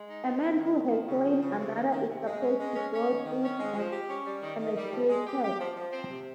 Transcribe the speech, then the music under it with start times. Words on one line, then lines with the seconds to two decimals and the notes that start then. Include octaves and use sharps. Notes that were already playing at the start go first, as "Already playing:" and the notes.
A man who has slain another is supposed to grow thin and emaciated.
Already playing: G#3
0.08 D#4
0.25 C4
0.42 D#3
0.58 D#3
0.75 D#3
0.92 F3
1.08 C#3
1.25 F3
1.42 C#3
1.59 C3
1.75 D#3
1.92 D#3
2.09 C3
2.25 G#3
2.42 C#4
2.59 G#3
2.76 C#4
2.93 C#4
3.09 D#3
3.25 D#3
3.42 C#4
3.59 G#3
3.76 F3
3.93 G4
4.10 C#4
4.27 G3
4.43 D#3
4.59 D#3
4.77 G3
4.93 F3
5.09 G#3
5.27 G4
5.44 G4
5.60 F3
5.77 F3
5.93 C4
6.10 C3